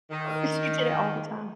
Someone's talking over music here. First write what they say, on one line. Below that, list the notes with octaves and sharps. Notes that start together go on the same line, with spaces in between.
Well, she did it all the time.
D#3